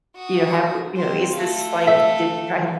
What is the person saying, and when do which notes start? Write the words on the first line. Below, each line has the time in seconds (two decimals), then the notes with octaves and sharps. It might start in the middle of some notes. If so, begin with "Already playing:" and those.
you know, "have we" you know, "is this like did" right
0.16 F#4 D#6
0.96 C4 C5
1.36 A3 F5
1.87 E5